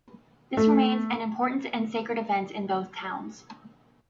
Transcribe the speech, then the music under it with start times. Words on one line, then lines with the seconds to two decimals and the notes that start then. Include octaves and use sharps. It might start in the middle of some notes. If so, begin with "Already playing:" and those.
This remains an important and sacred event in both towns.
0.57 A3